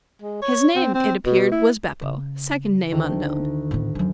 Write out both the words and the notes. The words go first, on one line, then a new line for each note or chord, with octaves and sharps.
His name, it appeared, was Beppo, second name unknown.
G#3
C#5
C4
C4
B2
E4
C#3
D2 D#3
A2 B3
F#2 F#3